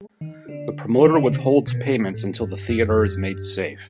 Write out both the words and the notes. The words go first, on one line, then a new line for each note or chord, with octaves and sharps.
The promoter withholds payments until the theatre is made safe.
D#3
D3
E3
D#3
D3
C#3
C3
B2
A#2
A2
G2
F#2
F#2
G2